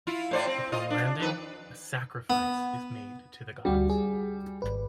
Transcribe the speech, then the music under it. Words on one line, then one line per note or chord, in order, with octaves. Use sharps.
Upon landing, a sacrifice is made to the gods.
E4 F4
A2 C5 D5
C4
F4 D#5
D4
F2 D#3 B4
B3
D2 G3 F#4 G4
G#4
G#1 B4